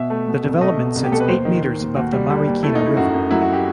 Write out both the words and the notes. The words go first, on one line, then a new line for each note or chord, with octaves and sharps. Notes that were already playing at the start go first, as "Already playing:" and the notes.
The development sits eight meters above the Marikina River.
Already playing: B2 E5
A3
B2
C2
A3 D#5
B2
C2
G4
B2 A4
B4
D#2 C5
D#3
D#3
D#2
D#2 F#4
G3
G3
D#2
A3 E4
D#4
A3
E4
F#2 F#4
F#2
F#3 E4
F#4
G4